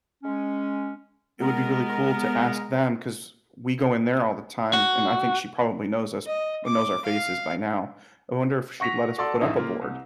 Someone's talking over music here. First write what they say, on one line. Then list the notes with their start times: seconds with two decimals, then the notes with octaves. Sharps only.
it would be really cool to ask them 'cause we go in there all the time, and I think she probably knows us knows our faces by now. I wonder if she'd let us put up a board
0.24 G#3 C#4
1.40 G#3 B3 A#4
4.73 F#4
6.26 D#5
6.65 D6
7.04 F5
8.80 F#5 C#6 A#6 B6 F7
9.18 F#4 A4 D5 A5 C6 E6
9.41 A#1 F2 A2 D#4 E5
9.55 C#3 A#3 F4
9.81 C2